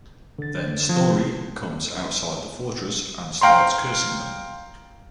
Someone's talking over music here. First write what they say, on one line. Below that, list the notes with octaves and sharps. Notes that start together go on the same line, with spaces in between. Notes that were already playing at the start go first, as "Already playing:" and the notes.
Then Snorri comes outside the fortress and starts cursing them.
D3 A6
F3
F5 G5 A#5 C6